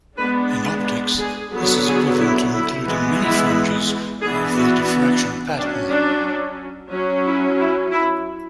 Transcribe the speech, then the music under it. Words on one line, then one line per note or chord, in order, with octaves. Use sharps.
In optics, this is equivalent to including many fringes of the diffraction pattern.
G#3 B3 D4 B4
G#4
D3 F#3 B3
G#4
E4
E4
E3 G#3 B3
E4
E3 B3 D4 G#4
F#4
F#3 C#4 D4
D4
F#3 C#4
E4
E4
E4